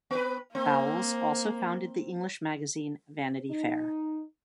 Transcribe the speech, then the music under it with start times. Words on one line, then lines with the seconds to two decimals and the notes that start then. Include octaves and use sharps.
Bowles also founded the English magazine "Vanity Fair".
0.11 B3 B4
0.55 A#3 C4
3.49 D#4